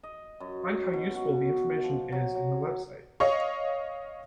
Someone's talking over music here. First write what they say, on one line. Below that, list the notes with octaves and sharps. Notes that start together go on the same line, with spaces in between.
Find how useful the information is in the website.
D#5
F#2
B2
F#4
F3
F#3
F#3
C#5 D#5 F5 C#6